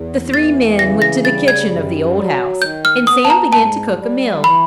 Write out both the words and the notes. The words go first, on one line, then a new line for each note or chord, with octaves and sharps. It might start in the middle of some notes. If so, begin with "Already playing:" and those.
The three men went to the kitchen of the old house, and Sam began to cook a meal.
Already playing: E2
E3 A6
C#3 A#6
A#6
G3 A6
G#6
F#2
F#3
D#3 G6
F6
B3 D#6
A5
A#5
G#2 A5
G3
E3 B5